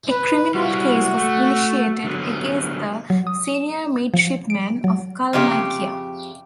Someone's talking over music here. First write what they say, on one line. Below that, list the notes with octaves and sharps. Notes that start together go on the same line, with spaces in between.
A criminal case was initiated against the senior midshipman of "Kalmykia".
B4
G3 E4 F#4
A3
D3 F#3 B3
F#3
D#6
E7
F3
D7
F#3
F2 C#3 G4 E5